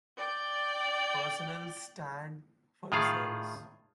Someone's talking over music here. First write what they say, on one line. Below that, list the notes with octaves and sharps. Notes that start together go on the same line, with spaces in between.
Personnel stand for the service.
D5 G5
A2 D#3 F4 G#4 F5